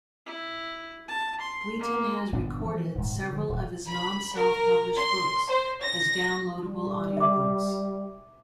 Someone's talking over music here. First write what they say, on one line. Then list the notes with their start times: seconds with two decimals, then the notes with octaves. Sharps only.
Wheaton has recorded several of his non-self-published books as downloadable audiobooks.
0.26 E4
1.08 A5
1.40 C6
1.79 A#3
2.32 G1 A#2 B3 D4
2.64 E3 F3
2.95 D#1 G#2
3.15 C3
3.33 D3 E3 F3
3.49 D#1
3.88 B5
4.35 A#4
4.96 C6
5.49 C5
5.82 A#6
6.64 G3
7.17 E5 D6